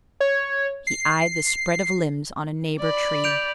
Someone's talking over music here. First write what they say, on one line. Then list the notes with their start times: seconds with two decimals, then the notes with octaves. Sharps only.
He eyed the spread of limbs on a neighbor tree.
0.20 C#5
0.87 C7
2.80 D5 B5
3.24 G6 D7 F7